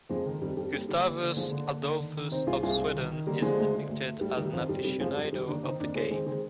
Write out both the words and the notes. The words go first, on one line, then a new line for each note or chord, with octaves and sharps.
Gustavus Adolphus of Sweden is depicted as an aficionado of the game.
F2 F3 G#3
D#3
F2 G3
F2 G3
D#2 G3
D3 G3
D#2
D3
D#2 F3 G#3
D3
D#2
D3
D#3
D#3
C3 C4 D#4
C2 F4 G#4
C2 F4 G#4
C2
D#3
D#3
D3 G3 A#3
D3 F3 G#3
D2
D3
D2
D2
D2 G3
D#3 G3
F2 F3
F2 G3
C3 G3
F2 F3 G#3
F2 G3
D#3 G3
D#3 A#3 D4
D#3 C4 D#4
F2 A#3 D4
D#3 G#3 C4
D#3 G#3 C4
D#3 G#3 C4